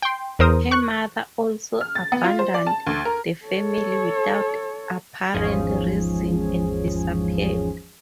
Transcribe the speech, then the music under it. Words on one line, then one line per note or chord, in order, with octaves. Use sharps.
Her mother also abandoned the family without apparent reason and disappeared.
G5 C6
E2 A#4 C5 D#6
C#6 F#6
F6
A6
B3
F4
C5
D5
A5
D2
A#4
A4 C#5
G#1 E2 G#2 F3 C#4 G#4